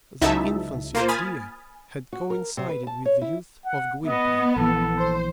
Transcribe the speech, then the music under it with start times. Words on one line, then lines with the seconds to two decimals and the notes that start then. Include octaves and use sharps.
The infancy of Dea had coincided with the youth of Gwynplaine.
0.21 C#2 F#3 D#4 E4 E5 A5
0.95 A#3 F4 C5
1.08 G#5 B5 D#6 F6 A6
2.13 F#4
2.30 A#4
2.57 C3
2.69 B4
2.87 A5
3.05 C#5
3.22 E4
3.65 F#5
4.06 B3 D#5
4.56 A#1 E3 A4
4.98 C5